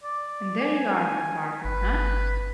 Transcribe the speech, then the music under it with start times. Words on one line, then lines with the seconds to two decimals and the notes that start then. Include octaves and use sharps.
And there you are, my partner, eh?
0.04 D5
0.61 G#5
1.64 G1 B4